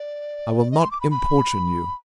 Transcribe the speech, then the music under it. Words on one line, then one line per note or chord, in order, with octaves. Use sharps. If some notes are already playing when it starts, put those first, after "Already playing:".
I will not importune you.
Already playing: D5
D#5
C6
D6
B5
B5